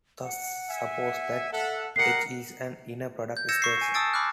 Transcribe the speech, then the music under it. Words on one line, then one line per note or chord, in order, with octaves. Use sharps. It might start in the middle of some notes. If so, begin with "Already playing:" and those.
Thus suppose that "H" is an inner-product space.
F#5
E5 G#5
A4 E5 F#5
G4 A#4 D#5 F#5 C7 C#7
G6
E6 G6 G#6 A#6 C#7 E7
C#6 C7
G#5
A5 D#6 E6 A6 D7
B5 D6 F6 F#6